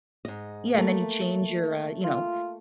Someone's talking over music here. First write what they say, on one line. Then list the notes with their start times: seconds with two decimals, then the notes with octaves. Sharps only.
Yeah, and then you change your, uh, you know,
0.25 G#2 D#5
0.74 A3 A#3
2.04 F4